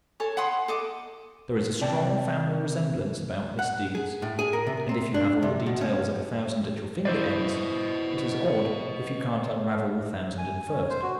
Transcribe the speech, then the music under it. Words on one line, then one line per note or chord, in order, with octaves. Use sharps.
There is a strong family resemblance about misdeeds, and if you have all the details of a thousand at your finger ends, it is odd if you can't unravel the thousand and first.
A4 C#5 G#5
F#5 B5 C6 D#6
A4 D#5 D6
C3 D5 G5 A5
F#5
G#4
A2
G#4
A#4
C3
C4
D4
C3
B2
C#4
E4 B4 C5 D5 D#5
G#5
C#4
C5
F#4